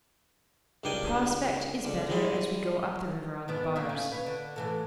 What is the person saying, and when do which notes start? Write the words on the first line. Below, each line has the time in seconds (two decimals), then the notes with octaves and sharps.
The prospect is better as we go up the river on the bars.
0.84 C#2 G2 D#3 D4 G5 G#5
1.84 C#2 D3
2.09 G3 G#3 E4 G#4
3.48 G#2 B3 D4
3.76 D#2 A#3 E5
3.89 A2 C#3 C#4
4.12 B4 C#5
4.26 D3
4.56 A2 E3 A4